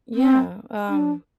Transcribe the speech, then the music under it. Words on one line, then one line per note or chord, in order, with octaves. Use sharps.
Yeah, um,
C4
D4